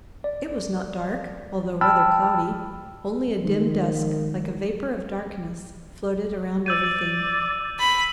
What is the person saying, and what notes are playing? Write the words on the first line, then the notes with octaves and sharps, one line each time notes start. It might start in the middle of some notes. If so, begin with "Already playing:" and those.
It was not dark, although rather cloudy; only a dim dusk, like a vapour of darkness, floated around everything.
D5
G5 A5 B5 E6 F6
D#3 F3 G#3
D5 E6 G6 D#7
B5